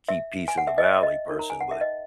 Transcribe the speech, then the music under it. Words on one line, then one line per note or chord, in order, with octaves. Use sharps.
keep peace in the valley person, but
E5
G#5
F#5
E5
D#5
E5
D#5
D#4 A#4 C#5
A#5
G#5
F#5
E5
D#5